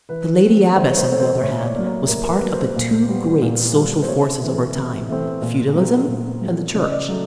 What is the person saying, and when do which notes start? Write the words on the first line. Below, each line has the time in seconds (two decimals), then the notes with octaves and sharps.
The lady-abbess, on the other hand, was part of the two great social forces of her time, feudalism and the Church.
0.09 E3 B4
0.42 A3 C4
0.76 E3 C5
0.92 C#5
0.97 C5
1.09 A3 C4 C#5
1.20 C5
1.42 A2 C#5
1.60 C#5
1.64 D5
1.75 F#3 A#3 D5
1.86 C#5
2.08 A2 A#4
2.24 A#4
2.31 B4
2.43 F#3 A#3
2.54 C5
2.76 A#2
3.08 G3 B3
3.42 A#2
3.75 G3 B3
4.02 C5
4.08 C3 C#5
4.42 E3 A3 C4
4.76 C3
5.08 E3 A3 C4
5.42 A#2
5.75 F#3 A3 C4
6.08 A#2
6.41 F#3 A3 C4
6.75 C#3 D5
6.82 D#5
6.91 D5
7.08 F#3 A3